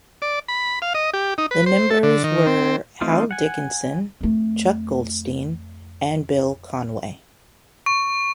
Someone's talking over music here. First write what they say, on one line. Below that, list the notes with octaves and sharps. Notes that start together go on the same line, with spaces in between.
The members were Hal Dickinson, Chuck Goldstein, and Bill Conway.
D5
B5
F5
D#5
G4
D#4
B4
C5
A4
D3
D#3
C4
E3 A3 C4 D#4 F4
F#5 G#5
F2 A3
C#6